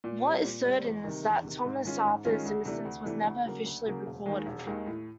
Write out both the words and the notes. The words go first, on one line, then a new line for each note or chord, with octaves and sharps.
What is certain is that Thomas Arthur's innocence was never officially recorded.
A#2
G3 C4
A#2
G3 C4
E2
C3 D#3
E2
C3 D#3
G#2
D#3 G#3 C#4 F4
G#2
D#3 G#3 C#4 F4
D2
C3 E3 A3 D4
D2
C3 E3 A3 D4
D2
C#3 F#3 A#3
D2
C#3 F#3 A#3
E1
D#2 D#3 G#3
E1
D#2 D#3 G#3
A2